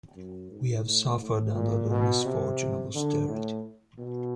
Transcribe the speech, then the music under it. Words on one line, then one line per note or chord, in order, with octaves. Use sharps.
We have suffered under the misfortune of austerity.
F#2
G#2
A2
A2
A#2
B2
C3
D3
A2
B2